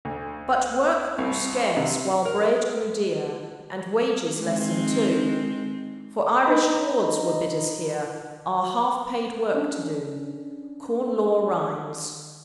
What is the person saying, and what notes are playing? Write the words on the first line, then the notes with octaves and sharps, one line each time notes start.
'But work grew scarce, while bread grew dear, And wages lessened, too; For Irish hordes were bidders here, Our half-paid work to do.' CORN LAW RHYMES.
D2
C2
C3
A#4
D#3 G#3 C4
D4 D#4 D#5 A#5 B5
C#4 D4